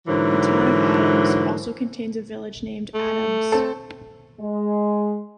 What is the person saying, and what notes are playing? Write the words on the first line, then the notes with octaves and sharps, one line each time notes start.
The Town of Adams also contains a village named Adams.
G#2 D3 E3 F#3 A#4 C5
A3
C4 A4
G#3